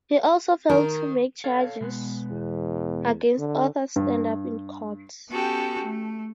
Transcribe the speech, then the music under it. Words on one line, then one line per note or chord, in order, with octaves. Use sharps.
He also failed to make charges against Arthur stand up in court.
D#3 A#4
A4 C#5 F5
B2 G#3 B3
E2
D3
G2
B3 C#4 F#4 G4 A4 G5
A3